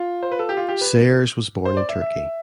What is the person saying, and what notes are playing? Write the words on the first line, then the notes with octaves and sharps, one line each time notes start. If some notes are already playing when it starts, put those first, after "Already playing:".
Sayers was born in Turkey.
Already playing: F4
C5
B4
A4
G4
F4
G4
B4
C5
D5
E5
E5